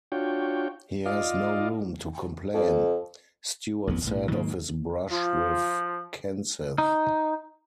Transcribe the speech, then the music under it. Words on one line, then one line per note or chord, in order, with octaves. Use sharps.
"He has no room to complain," Stewart said of his brush with Kenseth.
D4 F4 F#4 C#5 G5
F4 D5 D#5 F5
F2
A1 F2 B3
B1 A2
G#2 D#3 F#3 A#3
F3 F4
D#4